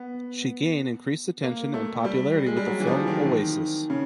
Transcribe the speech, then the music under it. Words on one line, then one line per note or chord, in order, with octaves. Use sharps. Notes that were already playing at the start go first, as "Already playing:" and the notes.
She gain increased attention and popularity with the film "Oasis".
Already playing: B3
A#3
A3
G3
G#3
G3
F#3
E3
F3
D#3
C#3